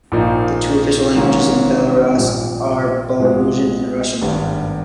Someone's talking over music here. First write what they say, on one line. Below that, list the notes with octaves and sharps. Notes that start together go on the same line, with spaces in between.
The two official languages in Belarus are Belarusian and Russian.
A#1 A#2 A#3 D#4
G#1 G#2 E3 A#3 C#4
A#1 A#2 G3
B1 A#2 G#3 B3 E4
G#1 G2 G3 B3